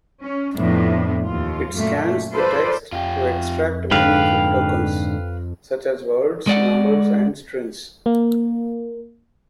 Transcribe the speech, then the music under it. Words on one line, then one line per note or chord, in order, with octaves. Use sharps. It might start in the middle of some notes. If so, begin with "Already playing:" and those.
It scans the text to extract meaningful "tokens", such as words, numbers, and strings.
C#4
F2 A2 B3 D4
D#2 F4
F#2 A#2 A3
F4 A4 B4 C5 D5
F2 F4 G4
G#2 D3 B4 F5 G5
G#3 D5 F#5
A#3